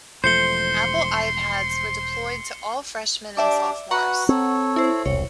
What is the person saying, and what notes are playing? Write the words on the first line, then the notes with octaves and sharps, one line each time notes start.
Apple iPads were deployed to all freshman and sophomores.
E1 F3 A3 C5 C6 C7 C#7 G7
D4 G4 D5 E5 D6
F#4 B4 F#5 A#5 C#6
C4 A4 C#5
E4 C5
E1 C2 C#5